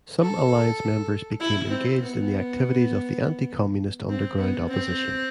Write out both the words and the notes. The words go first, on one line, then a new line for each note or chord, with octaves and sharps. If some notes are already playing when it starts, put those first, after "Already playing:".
Some Alliance members became engaged in the activities of the anti-Communist underground opposition.
A4
E4
C4
B3
C4
B3
C4